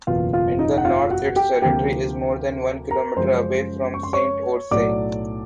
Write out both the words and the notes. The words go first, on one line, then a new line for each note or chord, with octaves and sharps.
In the North, its territory is more than one kilometer away from Sainte-Orse.
F#1 E2 B2 F4 F5
F4 F5
D#4 D#5
F#5
F4 F5
F#4 F#5
G4 G5
D2 C3 F3 A#3 G4 G5
A#4 A#5
F#2 C#3 F3 G#3 C5 C6
C#6
C6
C#5 C#6
B1 A2 F#3 A3 D5 D6